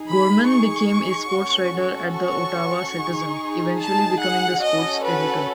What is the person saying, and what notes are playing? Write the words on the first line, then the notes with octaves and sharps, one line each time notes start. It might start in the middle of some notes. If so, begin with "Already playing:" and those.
Gorman became a sports writer at the "Ottawa Citizen", eventually becoming the sports editor.
Already playing: D#4 G#4
B5
C#6
C#4 F#4 A4
C#6
D#4 G#4
A5
F#5
C#4 F#4 A4 D#5
B4